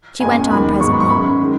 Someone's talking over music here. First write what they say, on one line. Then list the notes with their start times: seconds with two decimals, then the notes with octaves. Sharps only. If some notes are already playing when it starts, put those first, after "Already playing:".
She went on presently.
0.20 C#2 B2 G#3 C#4 G#5
0.50 D#2 D#3 F#3 B5
0.80 G#2 G#3 B3 C#6
0.90 B5
1.00 C#6
1.09 F#2 C#3 F#3 C#4 B5
1.41 D#3 G#3